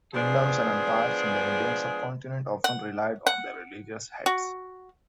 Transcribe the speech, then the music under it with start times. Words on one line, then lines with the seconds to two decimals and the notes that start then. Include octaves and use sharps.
Kingdoms and empires in the Indian sub-continent often relied on their religious heads.
0.14 F3 G#3 B3 D4 G#4
2.64 F#5
3.27 F#5
4.26 F#4